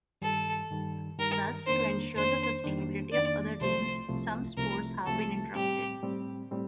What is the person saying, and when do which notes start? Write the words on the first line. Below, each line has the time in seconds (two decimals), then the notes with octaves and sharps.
Thus, to ensure the sustainability of other teams, some sports have been interrupted.
0.22 G2 D#3 G3 A4
0.70 G2 D#3 G3
1.18 G2 D#3 G3 A#4
1.67 F2 D#3 A#3 D4 C5
2.15 F2 D#3 A#3 D4 C5
2.64 F2 D#3 A#3 D4
3.12 F2 D#3 A#3 D4 D5
3.61 C2 C3 F3 A3 C5
4.09 C2 C3 F3 A3
4.57 C2 C3 F3 A3 A#4
5.06 C2 C3 F3 A3 A4
5.54 A2 G3 C4 G4
6.03 A2 G3 C4
6.51 A2 G3 C4